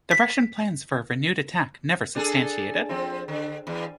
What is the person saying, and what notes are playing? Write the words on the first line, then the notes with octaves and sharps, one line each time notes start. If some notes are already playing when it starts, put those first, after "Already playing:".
The Russian plans for a renewed attack never substantiated.
B6
D4 G#4 A4
F3 C4
D3
E2